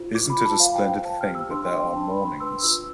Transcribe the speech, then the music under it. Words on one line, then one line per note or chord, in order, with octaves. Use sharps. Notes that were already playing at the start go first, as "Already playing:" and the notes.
Isn’t it a splendid thing that there are mornings?
Already playing: F4 C5
F4 D6
B5
F4
A5
C5 F5
G5
C5
G5
C5 A5
F6
G4
E6
D4 C6
G5
C5
G5
D4 A5
B5
D4
C6
B4 E6
F4 E6